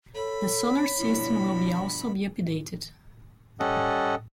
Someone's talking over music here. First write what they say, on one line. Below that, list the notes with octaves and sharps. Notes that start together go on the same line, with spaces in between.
The sonar system will be also be updated.
A4 C#5 B5
G2 B2 F3 E4
G3 C#4 A4 D#5 F#5